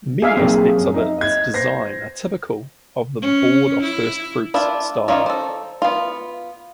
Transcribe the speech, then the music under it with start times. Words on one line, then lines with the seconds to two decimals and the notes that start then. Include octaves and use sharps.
Many aspects of its design are typical of the Board of First Fruits style.
0.22 G#4 E5 F5
0.37 B1 A#3 C4 G#4
0.77 F#2
0.94 D#4 E5
1.18 D#5 G#6
1.54 C5 A#6 C7
3.22 C#4
3.82 E4
4.54 D4 E4 F4
5.08 D#3 C#4 F4 D5
5.26 A4 C5
5.82 B3 F4